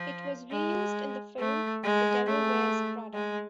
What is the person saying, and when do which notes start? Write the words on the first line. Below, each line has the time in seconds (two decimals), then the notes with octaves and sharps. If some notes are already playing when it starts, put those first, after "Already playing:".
It was re-used in the film "The Devil Wears Prada".
Already playing: F3
0.51 G#3
1.39 A3
1.84 G#3
2.27 A3
3.14 G#3